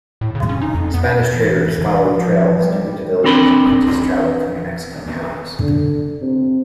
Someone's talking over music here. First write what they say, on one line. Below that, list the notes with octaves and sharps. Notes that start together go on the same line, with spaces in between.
Spanish traders followed trails to Ute villages and Utes traveled to New Mexican towns.
A2
C#3
C#4
D#4
F2
B3
E3
F3
G3
C4 D4 A#4 B5 C6
D3
C3